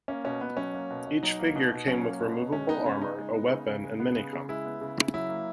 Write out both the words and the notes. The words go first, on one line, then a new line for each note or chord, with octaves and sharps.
Each figure came with removable armor, a weapon and mini-comic.
A#3 C#4
B2 C#4
B2 B3
F#3 C#4
A#3
B2
B2
F#3 D#4
A#3
B2
B2
F#3 C#4
A#3
B2
B2
G#3 C#4
B3 D#4
C#3 C#4
C#3 D#4
G#3
B3
C#3
C#3
G#3
B3
C#3
C#3
G#3 E4
B3
C#3
C#3
F#3 E4
A#3